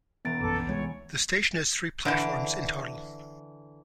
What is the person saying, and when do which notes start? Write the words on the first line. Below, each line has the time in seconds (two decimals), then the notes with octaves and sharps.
The station has three platforms in total.
0.25 E1 E3 B3 A#5 A6 D7
0.41 A#1 F#2 A4 B4 D6
0.67 C2 G#3 F#4 G#4 C#5
2.05 D3 E3